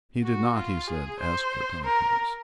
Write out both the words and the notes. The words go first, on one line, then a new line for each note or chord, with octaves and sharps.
He did not, he said, ask for confidence.
F#4
F4
G#4
C5
A#4